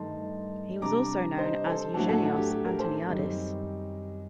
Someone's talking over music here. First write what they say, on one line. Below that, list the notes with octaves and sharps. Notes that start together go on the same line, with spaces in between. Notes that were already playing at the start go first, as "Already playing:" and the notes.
He was also known as Eugenios Antoniadis.
Already playing: G2 D#3 A3 D#4 A5 C6
C3 G3 D4 A#5 D6
C5 D#5
A4 C5
A2 F#3 A3 D4 F#4 A4
F#4 A4
F#4
G4
G4
G4 A#4
A4 C5
F#2 D#3 G3 C4 D#4